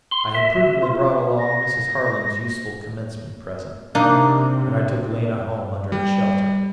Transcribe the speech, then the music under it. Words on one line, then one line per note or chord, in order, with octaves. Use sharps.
I had prudently brought along Mrs. Harling's useful Commencement present, and I took Lena home under its shelter.
C6
E5
F4
A#6
C3 A#3 D4 D#4
G3